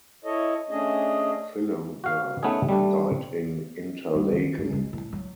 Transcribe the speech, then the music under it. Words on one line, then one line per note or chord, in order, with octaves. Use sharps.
Fillunger died in Interlaken.
E4 A4 C#5 D#5
A3 C#4 D4 G#4 D#5
F#4 F5
A3 B3 C#4 D#4 G#4
G3 A3 D4
G3
D#3
G2
G#3
A2
F#3